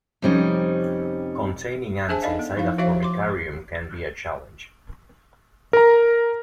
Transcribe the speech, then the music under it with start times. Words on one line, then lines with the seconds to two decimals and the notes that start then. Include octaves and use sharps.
Containing ants inside a formicarium can be a challenge.
0.22 F2 C3 G3 C#4 D#4
2.09 D4 G#4 C5 E5 G#5 A5
2.22 D#4 A4 D5 D#5 F5
2.39 B3
2.56 F3 D#4 E4 F5
2.78 F3 F#4 C5 C#5 E5 F5
3.03 C6 D6
5.73 A#4 A#5